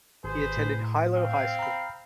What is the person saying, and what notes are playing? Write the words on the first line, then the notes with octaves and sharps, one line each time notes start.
He attended Hilo High school.
G#1 G#4 B4 C5
A2
C4 F5
A#5 B5